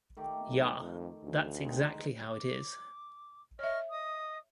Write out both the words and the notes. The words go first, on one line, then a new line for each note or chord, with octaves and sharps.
Ya that's exactly how it is.
D#3 A3 G4
B1
F2
D2
D#3 G#3
D6
C#5 D#5 E5 C#6 F6
D#5 D#6